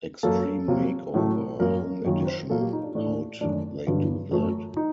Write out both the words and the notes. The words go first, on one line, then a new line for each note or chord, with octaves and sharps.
Extreme Makeover: Home Edition: How'd They Do That?
F#2 F#3 A#3 A4
C3 F#3 A#3
A2 F#3 A3
F#2 F#3 A#3 A#4
F#2 D#3 F#3 A#3
C5
A#2 F#3 A#3 A4
G4
D#4
D4
A2 A3 D4
F#2 D#3 A3 D4
G2 D3 F#3
F#2 F#3 A3
D#4